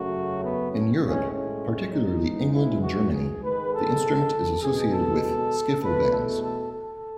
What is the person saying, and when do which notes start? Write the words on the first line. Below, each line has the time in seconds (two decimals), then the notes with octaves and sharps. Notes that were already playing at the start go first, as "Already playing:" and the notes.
In Europe, particularly England and Germany, the instrument is associated with skiffle bands.
Already playing: F#2 C#3 F#3 A3 F#4
0.43 B3
0.73 C#4
1.03 A2 G#3 C#4
1.33 C#4
1.93 D#4
2.22 G#2 E3 G#3
2.53 E4
2.83 F#4
3.13 G#4
3.43 G#2 D#3 G#3 B4
3.72 A4
4.62 B2 G#3 G#4
4.92 A4
5.82 E2 B2 A3 B4
6.12 A4
6.43 A4
6.72 A4